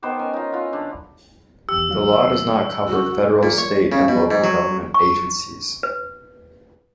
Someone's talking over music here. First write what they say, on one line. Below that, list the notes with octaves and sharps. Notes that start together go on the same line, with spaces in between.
The law does not cover federal, state, and local government agencies.
D#3 B3 C5 D6
C#4 A#4 G#5
D#4 F4
B3 E4 F4
D3 D4
E2 G4 E6
D#3 F#3 F5
C#2 F#2 F#4
A#2
C#5
C#3
B2
G#2
F#3
C#6
B4